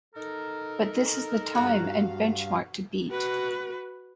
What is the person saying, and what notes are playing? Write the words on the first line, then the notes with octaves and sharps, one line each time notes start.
But this is the time and the bench mark to beat.
D#4 A4 A#4
G2 F#4 F5 A#5
F#4 B4